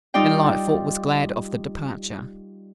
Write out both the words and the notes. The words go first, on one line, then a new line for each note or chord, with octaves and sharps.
And Lightfoot was glad of the departure.
G3 D#4 F4 D5 G5